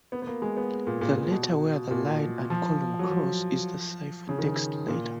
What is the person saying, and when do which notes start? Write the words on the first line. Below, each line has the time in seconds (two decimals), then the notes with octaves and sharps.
The letter where the line and column cross is the ciphertext letter.
0.12 B3
0.22 B3
0.27 A#3
0.42 G#3
0.57 B3
0.87 A#2
1.01 A#2
1.16 A#2
1.31 B2
1.91 A#2
2.50 F3
2.99 F#3
3.10 F3
4.29 C#3
4.39 D#3
4.48 C#3
4.88 A#2